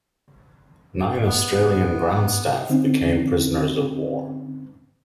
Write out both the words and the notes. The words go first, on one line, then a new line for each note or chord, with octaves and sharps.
Nine Australian ground staff became prisoners of war.
B3
D3 C4 C#4 D#4